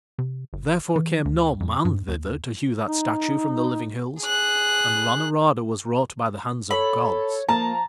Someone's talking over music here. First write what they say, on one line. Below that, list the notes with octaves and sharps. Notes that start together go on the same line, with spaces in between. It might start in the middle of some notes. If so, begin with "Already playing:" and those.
Therefore came no man thither to hew that statue from the living hills, and Ranorada was wrought by the hands of gods.
C3
G1
E3
D2
F2
G2
D#2
D#4
G#4 F#6
A4 C#5 B5
F3 A#3 A5 A#5